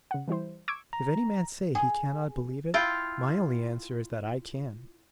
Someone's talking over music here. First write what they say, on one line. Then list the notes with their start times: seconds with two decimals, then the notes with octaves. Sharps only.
If any man say he cannot believe it, my only answer is that I can.
0.11 C#3 F#5
0.28 E3 G3 E4 C5
0.68 C#6 D6 E6 G#6 D7
0.93 A#5
1.75 G#4
2.74 E4 F4 G5